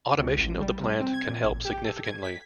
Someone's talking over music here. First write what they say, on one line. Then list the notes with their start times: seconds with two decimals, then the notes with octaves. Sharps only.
Automation of the plant can help significantly.
0.19 C#2
0.38 A1
0.60 G3
0.80 C3
1.00 C4
1.13 G#6
1.29 A#2
1.44 A1
1.65 G4
1.85 A4
2.04 G#6
2.23 B6